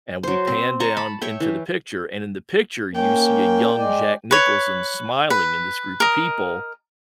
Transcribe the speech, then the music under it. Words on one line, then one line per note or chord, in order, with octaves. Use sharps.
and we pan down into the picture, and in the picture, you see a young Jack Nicholson smiling in this group of people-
F#3 C5
C4
A#5 C6 C#6
A5 B5
C#5 E5 G5
E3
A#3 C#4 G5
G#3 D5
B4 C#5
B4
A#4 D#5